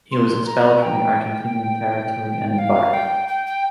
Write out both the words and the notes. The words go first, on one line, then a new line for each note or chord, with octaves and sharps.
He was expelled from the Argentinian territory and embarked.
C6
A#5
G5
F5
G5
G5
G5